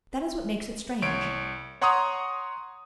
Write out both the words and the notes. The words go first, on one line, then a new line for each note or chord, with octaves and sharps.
That is what makes it strange.
C2 C#5 D7
C#5 F#5 A#5 C6 C#6 D#6